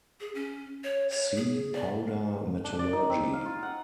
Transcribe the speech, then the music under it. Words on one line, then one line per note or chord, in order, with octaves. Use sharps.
See powder metallurgy.
G#4
C#4
C#5
C#5
G#4
D5
D4
D5
D#4
C4
F5
F4
F#5